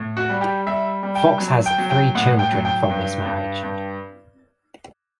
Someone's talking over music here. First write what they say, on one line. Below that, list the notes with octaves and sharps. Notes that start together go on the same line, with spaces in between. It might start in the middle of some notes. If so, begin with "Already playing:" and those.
Fox has three children from this marriage.
Already playing: A2
F#4
G3
G4
G3 E5
G3
G5
F#3
G5
F#3
G5
A2 F#5
G5
F#3
G5
G2
G2
G2